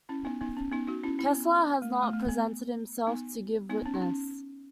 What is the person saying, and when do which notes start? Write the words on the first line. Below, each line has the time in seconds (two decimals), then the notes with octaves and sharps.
Kessler has not presented himself to give witness.
0.09 C#4 E4
0.25 B3 D#4
0.41 B3 D#4
0.57 C#4
0.72 B3 D#4
0.88 D#4 F#4
1.04 C#4 E4
1.19 C#4 E4
1.35 B3
1.82 A3
1.92 B3
2.02 A3
2.13 A3
2.29 B3
3.07 B3 D#4
3.70 B3 D#4
3.86 C#4
3.94 D#4
4.02 C#4